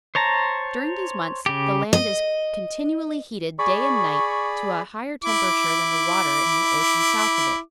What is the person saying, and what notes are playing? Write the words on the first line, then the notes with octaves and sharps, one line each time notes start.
During these months the land is continually heated day and night to a higher temperature than the water in the ocean south of it.
C5 C#5 A5 A#5
C#3 G4
D#5
G#4 D5 B5 C#6
E4 D6